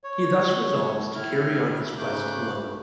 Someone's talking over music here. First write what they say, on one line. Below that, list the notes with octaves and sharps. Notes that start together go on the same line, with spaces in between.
He thus resolves to carry on his quest alone.
C#5
A2 E4 F6
G#2 C#3 A3 D6 F#6 G6